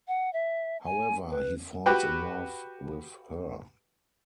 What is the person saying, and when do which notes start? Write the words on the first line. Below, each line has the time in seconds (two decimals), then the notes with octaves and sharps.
However, he falls in love with her.
0.08 F#5
0.33 E5
0.85 G#5
1.30 B4
1.86 F#4 G4 B4 G5